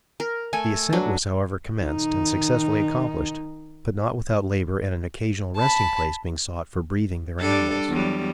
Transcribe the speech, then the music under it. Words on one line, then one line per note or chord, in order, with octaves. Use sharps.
The ascent was however commenced and successfully accomplished; but, not without labor and an occasional resting-place being sought for breathing their animals.
A#4
A3 A4 G#5
F#3 D4 B4
D#3 D#4
A5 B5
G3 D4 A4
E2 F#3 G3